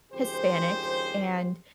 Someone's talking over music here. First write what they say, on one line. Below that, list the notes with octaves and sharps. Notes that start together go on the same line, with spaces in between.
Hispanic, and
G#1 F2 C#3 G4 G#4 C5